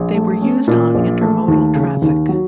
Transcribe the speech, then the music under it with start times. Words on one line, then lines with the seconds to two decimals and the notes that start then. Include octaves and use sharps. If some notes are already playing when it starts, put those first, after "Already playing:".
They were used on intermodal traffic.
Already playing: A#1
0.14 A3
0.41 C#4
0.67 A#2
0.95 A#1
1.21 A3
1.48 D#2
1.75 C#3
2.02 D#2
2.29 F#3